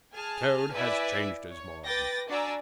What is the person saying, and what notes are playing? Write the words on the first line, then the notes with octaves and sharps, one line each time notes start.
Toad has changed his mind.
G#4 G#5 A5 F6
E4 B4 D5 E5 G#5
C#5
B4 G5 D6 A6 A#6
D4 F#4 D5 G#5 A#5 E6